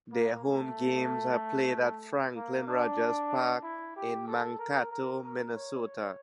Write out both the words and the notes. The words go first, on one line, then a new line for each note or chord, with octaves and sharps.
Their home games are played at Franklin Rogers Park in Mankato, Minnesota.
A#3
A3
A#3
D4
E4
G4
A4
A#4
A#4
A#4
C#5